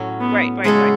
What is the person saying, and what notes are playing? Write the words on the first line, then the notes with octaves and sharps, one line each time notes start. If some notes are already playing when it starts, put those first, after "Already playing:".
Right, right, right.
Already playing: A2 F#3 C#4
B3
C#3 F#3 G#3 C#4 E4 A4